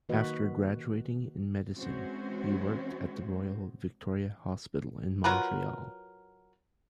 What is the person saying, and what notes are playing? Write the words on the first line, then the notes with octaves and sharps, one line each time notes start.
After graduating in Medicine he worked at the Royal Victoria Hospital in Montreal.
D#3 A#3 F#4 B4 D#5
E3 G#3 C4 C#4 F#4 C5
F#3 F4 A#4 B4